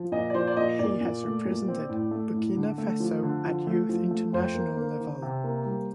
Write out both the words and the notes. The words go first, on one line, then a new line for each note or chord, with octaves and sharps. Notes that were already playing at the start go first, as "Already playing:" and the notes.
He has represented Burkina Faso at youth international level.
Already playing: F3
A#2 D#5
D5
F3 C5
D5
A#2 D#5
A#2 D5
A#2
A3
A#2
C4
A2
A3
A2
D3
A3
F3
D3
F3
A3
F3
A3
F2 C5
A#3
A#3
D#3
C3
A#3
G3